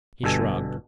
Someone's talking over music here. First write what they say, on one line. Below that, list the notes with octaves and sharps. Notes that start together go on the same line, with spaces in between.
He shrugged.
G1 G2 B2 A4 G#5